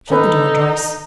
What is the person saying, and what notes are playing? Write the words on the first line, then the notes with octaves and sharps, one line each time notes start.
"Shut the door, Joyce."
D#3 D#4 A4 B4